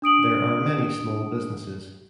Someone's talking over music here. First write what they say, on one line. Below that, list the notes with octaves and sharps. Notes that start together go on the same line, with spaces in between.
There are many small businesses.
D4 D#6 D7 F#7